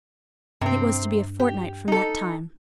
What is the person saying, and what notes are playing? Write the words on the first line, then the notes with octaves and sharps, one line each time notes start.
It was to be a fortnight from that time.
G2 C3 C4
G4
D#4 A4